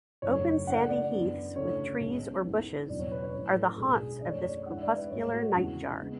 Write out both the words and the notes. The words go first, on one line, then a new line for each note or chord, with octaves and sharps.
Open sandy heaths with trees or bushes are the haunts of this crepuscular nightjar.
F#1 E2 D3 F#3 A3 C#5
D2 C#3 E3 A3 D4 F#5
D5
F#2 E3 B3 D4
D2 C#3 E3 A3 C#4 C#5
B1 B2 G#3 C#4
G#2 E3 G#3 B3
E1 E2 C#3 F#3 B3 D5
C#5
B4
C#5
A1 A2 F#3 C#4 B4
A4
A4
B1 B2 G#3 B3 D4 G#4
G#4
F#2 E3 A3 D4 D5
C#5
D5
G#1 G#2 E3 G#3 D4 F#5
E5
D5
B4
A1 A2 G#3 C#5
F#4
E2 C#3 E3 G#3 C#4 F#4
C#3 G#3 B3